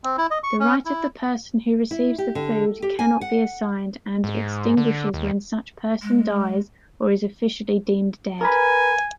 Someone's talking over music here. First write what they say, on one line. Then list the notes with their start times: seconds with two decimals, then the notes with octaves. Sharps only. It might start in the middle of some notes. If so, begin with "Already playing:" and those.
The right of the person who receives the food cannot be assigned and extinguishes when such person dies or is officially deemed dead.
0.04 C4
0.18 E4
0.31 D#5
0.44 C#6
0.60 C#4
0.86 E4
1.91 E4
2.18 G4
2.35 D3
2.82 G4
2.99 G#5
3.21 F#5
4.24 G#2
4.77 D3
5.14 D#2
6.02 G#3
8.41 A#4 B4 G#5